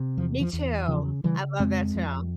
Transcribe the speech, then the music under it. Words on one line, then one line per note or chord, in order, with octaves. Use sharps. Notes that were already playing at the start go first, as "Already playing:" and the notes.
Me too, I love that too.
Already playing: C3
E2 F3
F3
E2
C#3 F3
C#3 E3 G3
F2 G#3 C4
F2